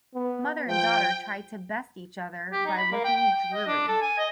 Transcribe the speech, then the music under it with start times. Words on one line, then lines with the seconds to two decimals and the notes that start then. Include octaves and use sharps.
Mother and daughter try to best each other by looking dreary.
0.15 B3
0.67 F3 G5
2.52 G4
2.65 D#4
2.77 B5
2.91 A#3
3.04 G5
3.16 G5
3.33 G5
3.53 D#5
3.67 D4
3.88 A4
4.02 G#5
4.18 D#5